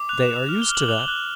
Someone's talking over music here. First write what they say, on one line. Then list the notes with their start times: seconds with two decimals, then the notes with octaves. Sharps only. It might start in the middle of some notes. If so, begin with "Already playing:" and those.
"They are used to that."
Already playing: D6
0.09 F#6 F7
0.23 E7
0.28 F#6
0.36 F7
0.49 F6
0.62 G7
0.69 F6
0.75 F#7
0.88 F#6 F7
1.08 F#6